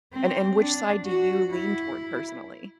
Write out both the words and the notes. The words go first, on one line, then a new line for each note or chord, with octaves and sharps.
And and which side do you lean toward personally?
C4
D4
F#4
E4